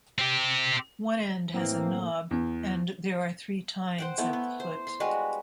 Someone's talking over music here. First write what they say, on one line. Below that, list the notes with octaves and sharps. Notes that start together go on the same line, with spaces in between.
One end has a knob and there are three tines at the foot.
C4 G4
A2 E3 A#3 C4
E2
C5 F#5 G5
A3 B3 E4
B3
C5
C6
G3 G#3 F#4 B4